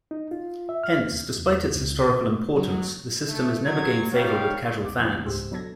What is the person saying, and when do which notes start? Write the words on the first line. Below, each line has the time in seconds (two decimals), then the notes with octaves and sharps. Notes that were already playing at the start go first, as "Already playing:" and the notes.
Hence, despite its historical importance, the system has never gained favor with casual fans.
0.11 D#4
0.31 F4
0.69 E5
0.84 F6
1.12 D#2
1.38 E2
1.76 C#2
2.10 B2
2.25 A#3
2.56 F#3
3.28 A3
3.65 F#3 G#6
4.12 C3 D#3 G3 C#5 F5
4.82 C#2 B3 D6
4.99 E2 E3 A#3 D4
5.25 C#2 G#2 G4 C5 E6
5.51 B2 F#3 D4 A4 G#6 A#6